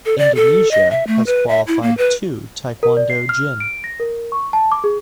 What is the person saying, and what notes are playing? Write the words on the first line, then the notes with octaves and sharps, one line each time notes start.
Indonesia has qualified two taekwondo jin.
A4
D5
A4
D#5
E5
A3
B4
E5
E4
A#3
B4
A#4
D5
C7
F6
D7
A#6
A#4
C#6
A5
D6
G#4